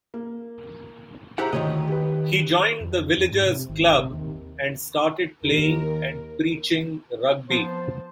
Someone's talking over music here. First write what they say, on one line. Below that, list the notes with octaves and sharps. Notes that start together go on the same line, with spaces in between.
He joined the Villagers club and started playing and preaching rugby.
A#3
E4 G4 G#4 C5 F#5 A#5
D2 D#3 C#5 D#5
G4 B4
F2
F2
G#2
C3
G#1
C3
D#2
D#2 A#4
F3 B3 C5 A5